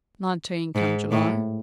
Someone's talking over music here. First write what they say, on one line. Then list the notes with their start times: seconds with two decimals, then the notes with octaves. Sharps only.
'Nineteen, come July.'
0.76 G#2
1.12 A2